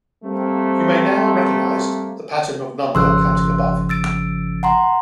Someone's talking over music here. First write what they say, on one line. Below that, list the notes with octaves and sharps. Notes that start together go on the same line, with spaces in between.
You may now recognized the pattern of number counting above.
G3 A3 A#3 C4
G#1 C#3 F3 C6 E6 F#6
E6 A6 D7
F#5 A#5 C6